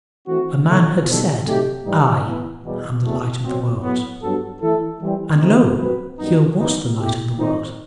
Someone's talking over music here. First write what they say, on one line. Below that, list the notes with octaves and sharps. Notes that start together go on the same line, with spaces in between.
A man had said, "I am the light of the world," and lo! here was the light of the world.
E3 A3 C4 F#4
B2 A3 D#4 F#4
B2 G3 D#4 A4
C3 F#3 A3 D#4 G4
A2 E3 G3 D#4
A2 E3 B3 E4
E2 B2 G3
E2 B2 A3
B2 F#3 C4
A2 F#3 B3
G2 F#3 B3 F#4 A4
E3 A3 E4 A4
E3 G3 C4
D#3 A3 C4 D#4
F#3 C4 F#4 B4
F#2 D#3 G3 B3 D#4
F#2 E3 B3 D#4
B2 A3 E4 G4
D#3 A3 C4 D#4